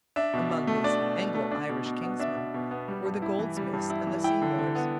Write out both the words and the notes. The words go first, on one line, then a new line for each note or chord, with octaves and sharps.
Among his Anglo-Irish kinsmen were the Goldsmiths and the Seymours.
D4 E5
B2
B2
A3
D4 D5
B2
B2
A3
D4
B2
B2
B3
D4 E5
B2
B2
B3
G3
G2
E4
E3
G3
G2
E4
E3
E4 G5
D3
D3
B3